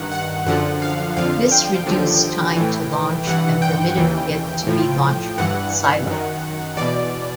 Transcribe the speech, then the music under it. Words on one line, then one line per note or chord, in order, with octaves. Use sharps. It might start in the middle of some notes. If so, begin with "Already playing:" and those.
This reduced time to launch and permitted it to be launched from its silo.
Already playing: G2 D#3 F#5
F#5
F#2 D3 F3 F#5
F5
F2 D3 F3 F5
G5
D#2 D3 F3
A2 E3
G2 E3 F#5
G5
D#2 C#3 E3
A2 F3
G2 E3 F#5
F#2 D#3
E2 B2 D5